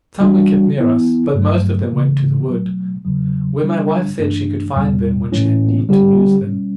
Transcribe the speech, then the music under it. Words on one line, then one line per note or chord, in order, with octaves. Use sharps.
Some we kept near us, but most of them went to the wood, where my wife said she could find them when she had need to use them.
E3 G3 D4 F#4
E3 B3 E4
G2 F#3 A3
C#3 E3 A3
B2 F#3 A3
E2 C#3 F#3
D3 G3 D4
G2 E3 A3 D4
E2 B2 G3
A2 E3 A3 C#4 E4
D3 G3 C#4 G4
B2 G3 C#4